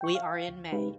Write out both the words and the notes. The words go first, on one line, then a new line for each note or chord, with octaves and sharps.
We are in May.
G5 C#6
F5
D2
G#3 D#4 G4 B4